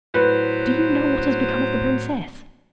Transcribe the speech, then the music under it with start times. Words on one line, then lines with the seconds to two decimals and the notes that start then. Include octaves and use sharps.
Do you know what has become of the princess?'
0.14 A2 F#3 B4 C5